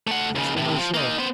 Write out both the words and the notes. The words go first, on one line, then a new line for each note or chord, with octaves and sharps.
That's for myself.
A3 F#5
D#2 C#3
A2 C3
F3
A#3 D#4
B3 C5